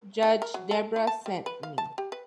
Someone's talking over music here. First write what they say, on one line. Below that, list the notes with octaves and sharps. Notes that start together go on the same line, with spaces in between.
Judge Debra sent me.
D#3
A#4
F#3
A4
F4
A5
G3
B4
F5
A5
G4
B4